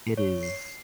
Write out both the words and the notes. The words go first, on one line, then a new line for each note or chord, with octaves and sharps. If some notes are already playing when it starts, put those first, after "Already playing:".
It is.
C#5
C7